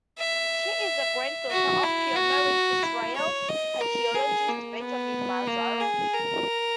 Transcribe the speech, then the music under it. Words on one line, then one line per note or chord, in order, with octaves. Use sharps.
She is the granddaughter of pioneering Israeli archaeologist Benjamin Mazar.
E5
F#4
E4
F#4
E4
C#5
D#5
A#4
G#4
A#3
B3
A#3
G#4
A#4